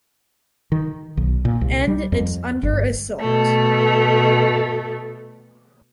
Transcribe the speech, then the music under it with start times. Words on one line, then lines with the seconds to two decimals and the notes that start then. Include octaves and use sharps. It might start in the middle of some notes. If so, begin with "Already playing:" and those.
And it’s under assault.
0.72 D#3
1.17 B1
1.45 A#2
1.61 C2
1.87 G3
2.12 F2
2.63 G1
3.20 B2 A3